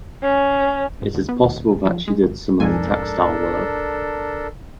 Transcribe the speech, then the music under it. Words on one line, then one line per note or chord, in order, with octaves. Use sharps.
It is possible that she did some of the textile work.
C#4
G#2
D2
B3
D#2
D#1
D1
F3
G#3
G#1
B1 F2 G#2 D4 A4 A#4 G#5